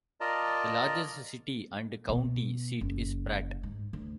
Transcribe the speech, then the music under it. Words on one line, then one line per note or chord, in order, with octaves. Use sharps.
The largest city and county seat is Pratt.
F4 A#4 D5 D#5 A5 A#5
B2
F#1
G#2
D2